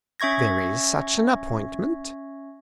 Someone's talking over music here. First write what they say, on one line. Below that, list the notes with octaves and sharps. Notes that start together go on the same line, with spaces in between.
"There is such an appointment."
C#4 E5 C#6 G#6 A#6